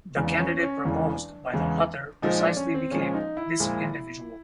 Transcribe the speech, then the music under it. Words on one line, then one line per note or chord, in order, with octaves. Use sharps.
The candidate proposed by the author precisely became this individual.
E2 C#3 E3 G#3 D4
C#4
C#4
E2 C#3 E3 G#3 D4
E2 C#3 E3 G#3
A#2 F3 G#3 D#4
D4
C#4
C4
A#2 F3 G#3 C#4
D#4
E4
A#2 F3 G#3